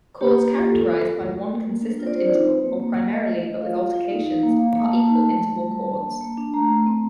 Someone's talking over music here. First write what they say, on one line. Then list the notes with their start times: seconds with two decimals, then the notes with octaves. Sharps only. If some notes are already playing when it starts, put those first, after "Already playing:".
Chords characterized by one consistent interval, or primarily but with alterations, are equal-interval chords.
0.21 A#3 G4
0.37 A#3
0.53 F4
0.69 F4 A4
0.81 C4 A#4
0.94 A4
1.02 F4 A#4
1.18 A3
1.35 A3
1.51 A3
1.67 A#3
1.83 D4
1.99 F4
2.07 D5
2.15 C4 C5
2.32 D#4
2.47 C4
2.65 A#3
2.80 A#3
2.97 A#3
3.13 A3 D#5
3.29 D4
3.45 A3
3.61 F4 F5
3.77 F4
3.94 F4
4.10 D#4
4.27 D#4
4.43 A#3
4.59 A#3 F5
4.75 A#3
4.83 A5
4.91 A#3
5.08 D#4 A5
5.24 A3
5.40 A3
5.56 G3
5.73 G3
5.88 D4
6.05 A#3
6.21 A#3
6.37 D4
6.54 A3 A#5
6.70 A3
6.87 C4